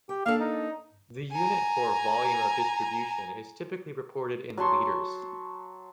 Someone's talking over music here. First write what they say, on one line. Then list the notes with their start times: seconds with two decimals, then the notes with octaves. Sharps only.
The unit for Volume of Distribution is typically reported in liters.
0.09 G4 G5
0.26 A#3 D4 A4 F5
0.40 D#4
1.32 G#5 A#5
4.57 F#3 A5 C6 C#6